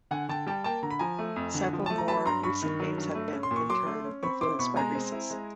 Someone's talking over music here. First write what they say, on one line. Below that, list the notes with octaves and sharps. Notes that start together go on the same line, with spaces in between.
Several more recent games have been, in turn, influenced by Risus.
D3 F#5 G#5
D3 G5 A5
G3 G5 A5
A#3 G5 A5
D3 A#5
B5
F3 G#5 A#5
A3
F2
D3
F3
A3 A5
A#5
F#3 A5 B5
G2 A#5 C6
G2 B5 C#6
D#3
F#3
G2
A3
C#4
C6
A#2
C#6
F#3 C6 D6
A3
C#4
C4 B5 C#6
E4 C6 D6
B2 B5 C#6
G#3 G#5 A#5
C4
E4
G#3